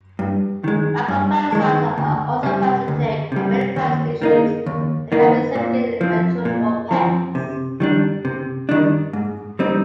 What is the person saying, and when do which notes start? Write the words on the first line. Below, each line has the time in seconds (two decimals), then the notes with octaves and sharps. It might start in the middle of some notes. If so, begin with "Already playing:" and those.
Macroparasites are also parasitic of many plant species, and can be significant agricultural pests.
0.19 G2
0.64 D#3 G#3
1.08 G2
1.53 D#3 G#3
1.98 D2
2.43 C3 G3
2.88 D2
3.32 C3 G3
3.76 D#2
4.22 D#3 A#3 D#4
4.66 D#2
5.12 D#3 A#3 D#4
5.55 A#2
6.01 F3 C4
6.45 A#2
6.91 F3 C4
7.35 C3
7.80 D#3 G3 D4
8.25 C3
8.69 D#3 G3 D4
9.13 G#2
9.59 G3 C4 D#4